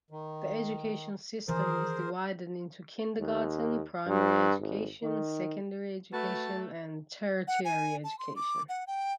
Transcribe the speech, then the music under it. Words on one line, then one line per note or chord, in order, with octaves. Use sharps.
The education system is divided into Kindergarten, primary education, secondary education and tertiary education.
D#3
D#3 E3 G#4 A#4 C5
D#2
G2
G#1
D#3
A3 F#4 B4 A5
F#5
G#5
A5
C6
D6
F#5
G5